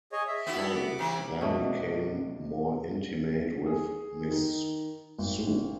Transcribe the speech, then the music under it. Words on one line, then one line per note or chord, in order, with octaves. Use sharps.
Fang then became more intimate with Miss Su.
G#4 C#5 D#5
E5
B3 E4 F#4
D6
C3 E3
C#2 B2 A3 D4 C#5 D#5
G#4
D#3
G#1